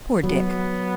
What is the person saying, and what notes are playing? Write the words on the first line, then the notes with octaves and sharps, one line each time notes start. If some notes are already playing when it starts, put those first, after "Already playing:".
Poor Dick!
F#3 B3